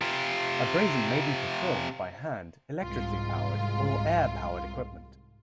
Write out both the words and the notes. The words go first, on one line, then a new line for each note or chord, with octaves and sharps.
Abrasion may be performed by hand, electrically powered, or air powered equipment.
C3 F4
C2 G#2 F4